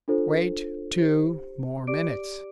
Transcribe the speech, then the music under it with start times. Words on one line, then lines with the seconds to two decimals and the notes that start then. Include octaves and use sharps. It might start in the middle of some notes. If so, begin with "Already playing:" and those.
"Wait two more minutes."
0.08 D4 F4 A4 C5
0.98 G4 C5
1.87 G4 D5 D6 D7